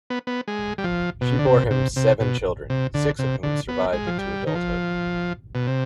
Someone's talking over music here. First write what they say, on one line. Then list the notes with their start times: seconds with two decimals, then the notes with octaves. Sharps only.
She bore him seven children, six of whom survived into adulthood.
0.10 B3
0.27 B3
0.48 G#3
0.78 G3
0.84 F3
1.21 B2
1.39 D3
1.46 C3
1.71 C3
1.96 C3
2.20 B2
2.70 C3
2.94 D3
3.19 C3
3.43 D3
3.69 B3
3.93 G#3
4.07 F3
4.18 G3
4.47 D#3
4.55 F3
5.55 B2
5.67 C3